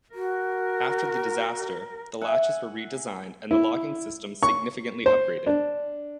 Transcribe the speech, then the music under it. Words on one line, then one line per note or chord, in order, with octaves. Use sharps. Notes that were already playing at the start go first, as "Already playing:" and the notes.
After the disaster, the latches were redesigned and the locking system significantly upgraded.
F#4 A#4
E5 F#5 G#5
E4
C#6
C5
D4